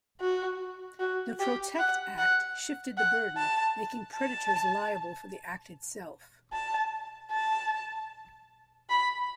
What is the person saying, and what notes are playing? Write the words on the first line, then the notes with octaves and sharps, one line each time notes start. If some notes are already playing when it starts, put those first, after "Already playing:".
The Protect Act shifted the burden, making predators liable for the act itself.
F#4
F#4
G4
F#5
F#5
F#5
A5
A5
A5
A5
B5